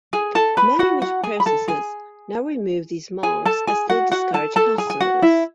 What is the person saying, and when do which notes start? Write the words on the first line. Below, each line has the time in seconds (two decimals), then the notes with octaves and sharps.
Many meat processors now remove these marks as they discourage customers.
0.13 G#4 G#5
0.35 A4 A5
0.57 B4 B5
0.79 F#4 F#5
1.02 F#4 F#5
1.23 G#4 G#5
1.40 B5
1.46 A4 A5
1.68 G#4 G#5
3.23 G#4 G#5
3.45 A4 A5
3.67 G#4 G#5
3.89 F#4 F#5
4.12 F#4 F#5
4.34 A4 A5
4.56 A4 A5
4.78 G#4 G#5
4.90 G#5
5.00 F#4 F#5
5.22 E4 E5